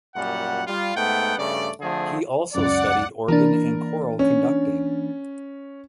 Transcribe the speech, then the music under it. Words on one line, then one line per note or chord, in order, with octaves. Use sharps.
He also studied organ and choral conducting.
F#2 A#2 G3 F#5
G3 F4
G#2 A3 B3 F#5 G5
G2 C#3 A3 D5
D3 F3 A3 C4 G#4
C#2 F#2 D5 F#5 D6
E3 A#3 D4 A#4
C#4